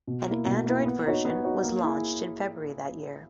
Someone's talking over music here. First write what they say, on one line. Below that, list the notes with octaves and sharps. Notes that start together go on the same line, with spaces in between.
An Android version was launched in February that year.
B2
A#3 E4
B2
A#3 E4
B3
D#4 F#4 C#5
B3
D#4 F#4 C#5
A#3
E4 G#4